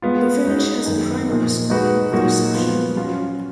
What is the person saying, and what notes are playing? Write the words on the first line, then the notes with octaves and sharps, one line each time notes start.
The village has a primary school with reception year.
G#3 B3 F4
G#3 D#4 F#4
F#2 D#3 A#3 D#4 G#4
A#2 F3 A#3 D#4
G#3 D#4 F#4 B4
A#2 F#3 A#3 D#4 F#4
F3 B3 F4
F#3 C#4 F4